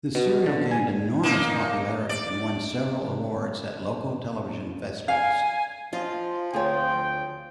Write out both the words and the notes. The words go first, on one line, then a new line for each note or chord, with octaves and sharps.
The serial gained enormous popularity and won several awards at local television festivals.
B2
D3
G#5
A#3 D#4
D5
F5 G#5
F3 F4 D#5 F5
D2 C4 F4 G#4 C#5 G5